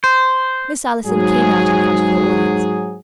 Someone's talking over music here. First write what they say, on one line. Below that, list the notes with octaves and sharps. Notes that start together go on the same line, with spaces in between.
Miss Allison came out in front of her audience.
C5
G#2 F#3 G#4